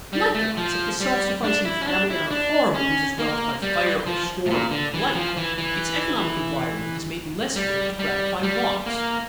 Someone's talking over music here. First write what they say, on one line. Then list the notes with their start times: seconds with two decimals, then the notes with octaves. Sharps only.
Likewise, if the self-sufficing family on a farm loses wealth by fire or storm or blight, its economic environment is made less fitted to gratify wants.
0.13 G3
0.34 A3
0.57 F3
1.00 G3
1.44 D4
1.65 E4
1.82 C#4
1.87 D4
2.10 E4
2.31 D4
2.75 C#4
3.19 A#3
3.62 G3
4.06 F3
4.46 A2
4.50 A#2
4.71 D3
4.94 E3
5.15 F3
5.37 E3
5.58 E3
7.56 G3
7.99 G3
8.43 G3
8.86 A#3